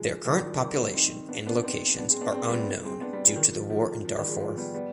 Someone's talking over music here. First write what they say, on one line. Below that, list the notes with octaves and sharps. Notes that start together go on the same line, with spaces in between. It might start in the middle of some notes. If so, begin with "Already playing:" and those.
Their current population and locations are unknown due to the war in Darfur.
Already playing: F3 G#3
D#3 G3
F3
F3
D#3 G3
C4 D#4
B3 D4
B3 D4
C4 D#4
B3 D4
G#3 C4
B3 D4
G#3 C4
G3 B3
G#3 C4
B3 D4
G3 B3
F3 G#3
D#3
F3
F3
F3
D#3 G3
F3 G#3
F3 G#3
G3 B3
G3 B3